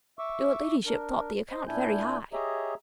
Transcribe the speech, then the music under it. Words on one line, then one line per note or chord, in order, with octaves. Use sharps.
"Your ladyship thought the account very high."
E5 C#6 D6 E6
D4 A#4
C5 D#5
A#2 D4 E4 G#5 G6
G4 G#4 C#5 D#5 E5 A#5